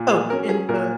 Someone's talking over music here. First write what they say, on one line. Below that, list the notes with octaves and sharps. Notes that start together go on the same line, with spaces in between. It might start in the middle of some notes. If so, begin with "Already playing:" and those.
Oh, in the
Already playing: A#2
G#4
F#3 C#4 A#4
G#4
A#2 A#4